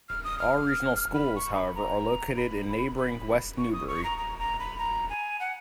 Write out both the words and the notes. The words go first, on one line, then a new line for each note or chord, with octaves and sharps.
All regional schools, however, are located in neighboring West Newbury.
F6
D#6
F6
B5
C#6
B5
A#5
B5
B5
C#6
D#6
C#6
A#5
A#5
A#5
B5
A#5
G#5
F#5